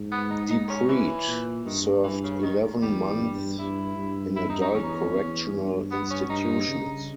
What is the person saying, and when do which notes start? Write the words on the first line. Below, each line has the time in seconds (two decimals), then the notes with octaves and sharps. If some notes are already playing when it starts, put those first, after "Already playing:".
DiPrete served eleven months in Adult Correctional Institutions.
Already playing: G#2
0.12 B3
0.30 D#4
0.50 D#4
0.70 C#4
0.89 E3
1.28 A#2
1.66 G2 D#3
2.04 G2 E3
2.24 C#3
2.43 D#3
2.81 E2 G3
3.21 G2
3.59 G2 E4
3.98 G2
4.36 E4
4.50 D#4
4.62 D#4
4.74 E2 C#4
5.14 E2
5.53 G2
5.91 B3
6.10 C#4
6.29 G2 D#4
6.68 C#3